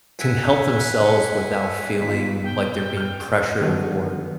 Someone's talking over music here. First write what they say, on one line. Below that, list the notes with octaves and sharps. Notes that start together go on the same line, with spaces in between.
can help themselves without feeling like they're being pressured or,
E5 F#5 G#5
G#1 B2 F4 B6
B1 G5
F6 G6
D3 D#3 F3 F#3 B3 F#4